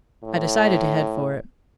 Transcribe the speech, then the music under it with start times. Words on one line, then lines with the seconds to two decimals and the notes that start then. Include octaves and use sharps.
I decided to head for it.
0.24 A2